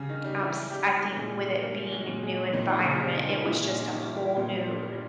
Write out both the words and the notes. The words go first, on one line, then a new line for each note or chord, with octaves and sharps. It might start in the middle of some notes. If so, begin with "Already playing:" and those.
um, s I think with it being a new environment, it was just a whole new
Already playing: C#3 G3 C#4
D#3 D#4
G3
E3 E4
G3 G4
A#2 G#3 G#4
G3 A#3 A#4
G#3 G#4
A#2
G#3 G#4
A#2 D#3 D#4
C#3 C#4
G3
D#3 D#4
A#2 E3 E4
C#4
D#3 D#4
G3
E3 E4
A#2 B3
G3